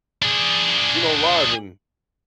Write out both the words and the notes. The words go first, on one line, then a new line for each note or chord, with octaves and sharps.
you know, live and
D4 G#4